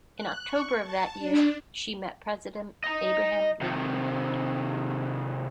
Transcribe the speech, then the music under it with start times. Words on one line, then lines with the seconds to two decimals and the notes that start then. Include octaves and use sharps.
In October of that year, she met President Abraham Lincoln.
0.16 F#6
0.46 C#6
0.81 A5
1.19 D4
2.84 D#5 A#5
3.61 C3 D#3